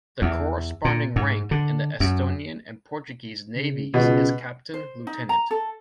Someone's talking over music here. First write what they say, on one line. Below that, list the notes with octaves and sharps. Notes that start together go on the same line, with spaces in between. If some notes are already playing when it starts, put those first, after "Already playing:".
The corresponding rank in the Estonian and Portuguese navies is captain lieutenant.
E2
A#2
G#2
D3
F#2
C#3
C#2 B2
C5
D#4
A#5
A4